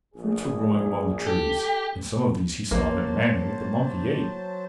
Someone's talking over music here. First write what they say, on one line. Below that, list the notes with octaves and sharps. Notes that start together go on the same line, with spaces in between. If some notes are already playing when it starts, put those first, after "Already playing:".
Fruits were growing among the trees and some of these he saw that Manu, the monkey, ate.
A#1 G#4
G4 A4
A#1 F#3 A#3 C5 A5